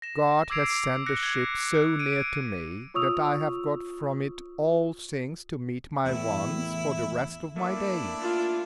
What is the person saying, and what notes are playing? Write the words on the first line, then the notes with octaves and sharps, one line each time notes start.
God has sent the ship so near to me, that I have got from it all things to meet my wants for the rest of my days.
A#6 E7
D6 E6 G#6 C7 D7 F7
F#6 A#6 C#7
G#6
D7 D#7
F4 C#5 C#6 D#6 E6 F7
E2 A2 E4
A3 A#3 D4 E4
F4